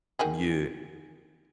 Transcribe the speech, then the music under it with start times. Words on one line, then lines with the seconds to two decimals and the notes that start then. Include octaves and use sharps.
Mm, yeah.
0.19 D#3 F#4 G#4